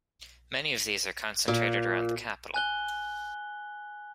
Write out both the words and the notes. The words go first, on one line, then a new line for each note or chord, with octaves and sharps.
Many of these are concentrated around the capital.
A#2
G#5 F#6 G7